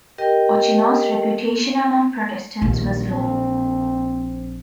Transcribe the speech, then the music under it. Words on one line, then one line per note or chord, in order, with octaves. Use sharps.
Ochino's reputation among Protestants was low.
G4 A#4 D#5 G5
A#1 D#2
C4